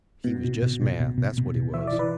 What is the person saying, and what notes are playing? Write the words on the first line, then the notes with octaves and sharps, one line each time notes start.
He was jest mad, that's what he was.
B2
B2
B2
B2
B2
B2
B2
B2
E3 E5
D5
E3
B4